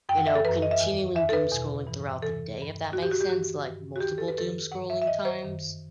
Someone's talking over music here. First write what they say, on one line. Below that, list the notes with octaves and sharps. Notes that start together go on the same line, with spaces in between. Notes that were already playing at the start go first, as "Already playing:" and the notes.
you know, continuing doom scrolling throughout the day, if that makes sense? Like, multiple doom scrolling times
F#2 E3 G5
F#5
E5
A4
F#2 E3 B4
D#5
E5
E2 D#3
E2 D#3 E5
A4
B4
E2 B2
G2 E3
E2 C3 E3 A4
G2 E3
D#2 D#3 F#4
G4
F#4
G4
G2 E3 F#4
G2 D#3
F#4
D#2 D#3 G4
A4
B4
F#2 D#3 A4
G2 E3 F#5
E5
E5
D#2 D#3 D#5
C5
F#2 D#3